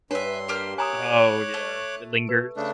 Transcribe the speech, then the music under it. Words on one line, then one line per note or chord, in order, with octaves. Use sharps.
Oh, yeah. It lingers?
G2 D4 B4 C#5 E5 C6
A#3 G4 F6
C#5 G#5 A#5 D6 D#6 F#6
A3
B4
C#3 A3 D4